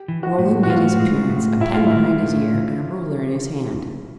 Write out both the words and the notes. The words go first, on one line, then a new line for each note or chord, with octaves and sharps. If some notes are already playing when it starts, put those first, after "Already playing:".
Roland made his appearance, a pen behind his ear, and a ruler in his hand.
Already playing: G4
E3
F#4
A2
F#4
A2 F4
G#3
A2
A2 E4
F4
G#3 E4
A2